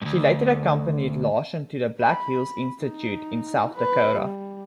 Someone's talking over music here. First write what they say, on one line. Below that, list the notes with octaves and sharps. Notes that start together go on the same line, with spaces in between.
She later accompanied Larson to the Black Hills Institute in South Dakota.
D2 G2
B5
D#4
B4
G3